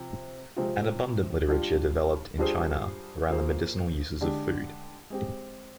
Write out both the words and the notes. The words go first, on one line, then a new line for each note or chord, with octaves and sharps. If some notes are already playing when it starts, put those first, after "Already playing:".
An abundant literature developed in China around the medicinal uses of food.
Already playing: C3 F3 C4
C3 F3 G#3 C4 F4
G3 D4 F4
G3 D4 F4 G#4 C5
A#3 F4 G#4 C5
D3 G#3 D4 G4
G#3 C4 G4